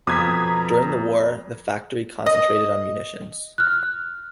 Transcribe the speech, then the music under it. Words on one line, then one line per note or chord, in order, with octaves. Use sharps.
During the war, the factory concentrated on munitions.
F2 B2 A#5 D#6 G#6 B6
D#5
F6 F#6